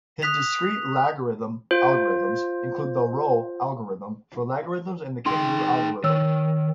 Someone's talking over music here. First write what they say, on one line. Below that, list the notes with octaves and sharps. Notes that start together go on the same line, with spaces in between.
His discrete logarithm algorithms include the rho algorithm for logarithms and the kangaroo algorithm.
D#6 F#6 B6 F7
F4 C5
D#4 G#4 G5 C6
D#3 C#5 E6